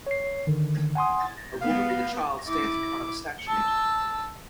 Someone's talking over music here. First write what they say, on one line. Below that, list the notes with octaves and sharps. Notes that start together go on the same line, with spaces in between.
A woman with a child stands in front of a statue.
C#5 C7
D3 D#3
F#5 G#5 C6 D#6
B3 F5
E4 D6
A5 E6